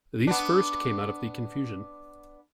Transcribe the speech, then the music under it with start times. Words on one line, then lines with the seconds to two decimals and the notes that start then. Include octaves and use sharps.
These first came out of the confusion.
0.27 B3 D4